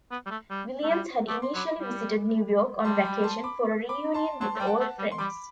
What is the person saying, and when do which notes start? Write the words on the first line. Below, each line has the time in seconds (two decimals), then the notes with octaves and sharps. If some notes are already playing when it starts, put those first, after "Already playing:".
Williams had initially visited New York on vacation for a reunion with old friends.
0.11 B3
0.26 G3
0.31 A3
0.50 G3
0.83 A3
0.89 G3
1.28 A3 D6
1.42 C6
1.54 F#3 B5 D6
1.80 G3
2.79 A3
2.84 G3 A5 C6
3.04 G5 B5
3.24 A5 C6
3.44 B5 D6
3.89 B5 D6
4.14 A5 C6
4.41 F#3 A5 C6
4.56 A3
4.60 G3 G5
4.67 F#5 A5
4.80 A3
4.99 G3
5.11 C6
5.18 G3 B5 D6